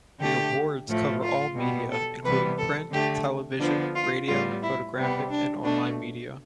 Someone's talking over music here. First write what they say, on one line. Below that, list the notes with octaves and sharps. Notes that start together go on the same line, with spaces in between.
The awards cover all media including print, television, radio, photographic and online media.
D3 A3 G4
A2 F3 A3
F4
B2 G3 B3
A4
C3 E3 G3 B3 B4
A4
D3 A3 G4
D3 F3 B3 D4
F4
A2 G3 B3 F4
E4
C3 G3 B3
D4
B2 A3 D4